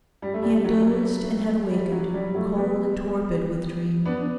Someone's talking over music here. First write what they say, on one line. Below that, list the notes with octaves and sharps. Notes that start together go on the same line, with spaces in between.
He had dozed and had awakened, cold and torpid with dream.
G3
A3
G3
F#3
G3
F#3
G3
F#3 A3
G3 B3
B3 D4
D4